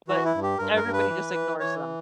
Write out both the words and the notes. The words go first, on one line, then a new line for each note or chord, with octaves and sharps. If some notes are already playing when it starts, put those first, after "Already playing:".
but everybody just ignores them.
E3 F#4
E4
G2
G4
G2 A#4
A#4
G2
B4
E3
E3
E3 C#5